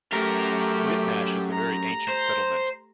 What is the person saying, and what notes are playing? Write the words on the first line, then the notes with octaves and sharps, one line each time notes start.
Whitnash is a very ancient settlement.
F#2 A3 G4 A#4
A#5
C5